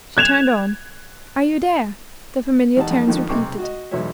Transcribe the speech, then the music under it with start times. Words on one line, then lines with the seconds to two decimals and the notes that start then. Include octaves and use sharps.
She turned on; 'Are you there?' the familiar tones repeated.
0.17 F#6 G#6 E7 F7
2.77 E2 D#4 G4 F#5 A5
2.91 F2 D#4 A5
3.07 F2 D3 D#3 F3
3.29 B1 C3 D#4 C#6 D6
3.58 F#4 D#5
3.91 B1 E2 F#3 B3 C#5 E5